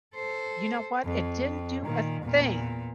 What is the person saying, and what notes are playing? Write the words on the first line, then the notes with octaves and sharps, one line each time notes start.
You know what? It didn't do a thing
A4 C5
F2
A#2 D#3
E2 A#2